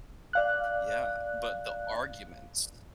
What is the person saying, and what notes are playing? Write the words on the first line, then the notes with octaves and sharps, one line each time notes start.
Yeah, but the arguments
D5 F5 F#6